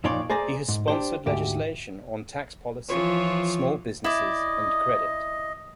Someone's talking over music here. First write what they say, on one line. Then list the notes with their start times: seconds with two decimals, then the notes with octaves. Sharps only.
He has sponsored legislation on tax policy, small businesses, and credit.
0.04 F2 A#2 D#4 C#5 D5 C6
0.30 G#4 C5 D5 G#5 A#5
0.68 G#2
0.88 D4 G4 C5
1.26 D2 G#2 G4
2.88 E3 F3 F4 C#5
4.04 E4 D5 D#5